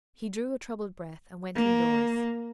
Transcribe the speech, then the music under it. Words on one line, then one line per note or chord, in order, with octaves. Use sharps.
He drew a troubled breath, and went in-doors.
A#3